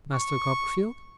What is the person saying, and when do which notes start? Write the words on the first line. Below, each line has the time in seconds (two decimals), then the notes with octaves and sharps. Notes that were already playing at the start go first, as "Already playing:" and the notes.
'Master Copperfield?'
0.14 C#6